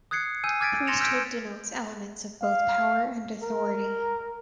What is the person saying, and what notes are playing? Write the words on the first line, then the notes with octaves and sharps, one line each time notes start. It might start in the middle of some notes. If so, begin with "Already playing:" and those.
Priesthood denotes elements of both power and authority.
D#6 F#6 G#6 C7 C#7
G#5 E6 G6 D#7
D6 F6 G#6 A6 B6 D7
C6 A6 A#6 C#7 E7 F7
E6 F6 G6 G#6 B6 D7
F5
A#4